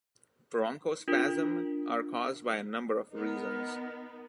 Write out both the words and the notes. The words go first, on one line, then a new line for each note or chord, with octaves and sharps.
Bronchospasm are caused by a number of reasons.
D4 F4 A#4
B3 D#4 A#4